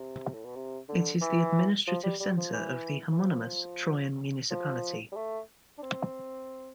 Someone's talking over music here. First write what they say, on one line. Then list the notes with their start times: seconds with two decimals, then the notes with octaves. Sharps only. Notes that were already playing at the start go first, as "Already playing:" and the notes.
It is the administrative centre of the homonymous Troyan Municipality.
Already playing: C3
0.34 A2
0.45 B2
0.56 C3
0.89 D3
1.21 E3
1.87 F3
2.04 G3
2.20 G3
2.37 F3
2.53 E3
3.12 E3
3.19 F3
4.51 F3
5.12 G3
5.16 A3
5.78 D4
5.82 C4